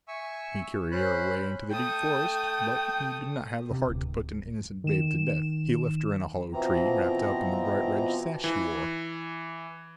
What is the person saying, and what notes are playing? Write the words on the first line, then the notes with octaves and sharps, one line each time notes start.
He carried her away into the deep forest, but he did not have the heart to put an innocent babe to death. He left her in a hollow tree, wrapped up in the bright red sash he wore.
E5 G#5 C#6 E6
C#4 C5 B5 F#6
A3 G5 D#6
C3
D1
D#3 E7
B2 E3 F3 C4 A#5
E3